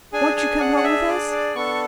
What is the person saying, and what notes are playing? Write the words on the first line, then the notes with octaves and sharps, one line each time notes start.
"Won't you come home with us?"
D4 G#4 G#5
G#5
F#5
F#5
E5
D5
D5
B3 D4 A4 C#6